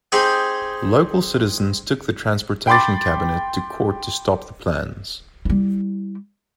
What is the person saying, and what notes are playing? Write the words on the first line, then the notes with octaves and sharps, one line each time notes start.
Local citizens took the Transportation Cabinet to court to stop the plans.
C4 D#4 G4 G#4 G5 G#5
G5 B5 C6 D6 A6
G3 E4